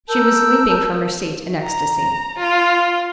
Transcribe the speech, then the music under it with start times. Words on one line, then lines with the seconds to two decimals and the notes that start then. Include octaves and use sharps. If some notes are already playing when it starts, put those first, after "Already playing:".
She was leaping from her seat in ecstasy.
0.09 A#4 A5 E6 G6
1.63 A#5
2.38 F4